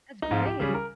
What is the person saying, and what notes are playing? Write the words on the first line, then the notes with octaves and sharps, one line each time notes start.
That's great.
D#4
G#2 F3 G#3 C4 F4
G4
C#3 G3 C#4 G#4
A#4